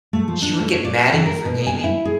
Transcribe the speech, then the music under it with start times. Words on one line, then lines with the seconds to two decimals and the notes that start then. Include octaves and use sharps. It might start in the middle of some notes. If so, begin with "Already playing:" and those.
She would get mad at you for gaming?
0.13 A3
0.28 F3
0.42 D4
0.60 A3
0.72 C#5
0.85 D5
1.12 E3
1.26 A#4
1.45 B2
1.67 G#5
1.84 E4
2.05 G#4